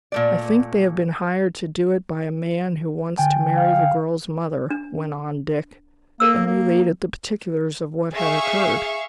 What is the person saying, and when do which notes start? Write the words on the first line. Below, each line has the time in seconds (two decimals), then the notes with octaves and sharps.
"I think they have been hired to do it by a man who wants to marry the girl's mother," went on Dick, and related the particulars of what had occurred.
0.12 A#2 A3 D5
3.18 D3 G5 G#5
3.57 F5
4.70 D4
6.20 A#3 A4 A#4 E6
6.46 A#3
8.13 G#4 E5 F5 C#6